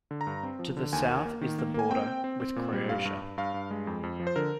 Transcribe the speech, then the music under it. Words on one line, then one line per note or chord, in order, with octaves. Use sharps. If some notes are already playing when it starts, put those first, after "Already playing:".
To the south is the border with Croatia.
D3
A#5
G2
C4
F3
D3
D#2 G#5
A#3
A#3
D#3
A#3
A#3 G#5
C4 G5
C4
C4
C4
A#2
G3
G2 F5
G2
G2
G2 F5
G2
G#3
F2
F2
F3
C5
D3 A#4